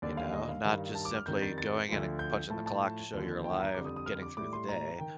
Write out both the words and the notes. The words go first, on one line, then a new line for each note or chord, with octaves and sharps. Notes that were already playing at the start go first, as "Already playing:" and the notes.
You know? Not just simply going in and punching the clock to show you're alive and getting through the day.
D#2 D3 G3 D5
F5
D#5
F5
G2 D#3 G3
A5
D6
F6
F2 D#3 G3 G6
A6
A6
D2 D3 F3
G6
A2 F3 A5
A5
D#2 D3 F3
G5
A#5
F2 D3 G3 D6
D#6
D#6
F6
D6
A2 G3 D6
C6
A#5
D#3 G5